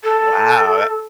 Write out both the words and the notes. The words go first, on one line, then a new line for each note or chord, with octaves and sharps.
Wow, tha
A4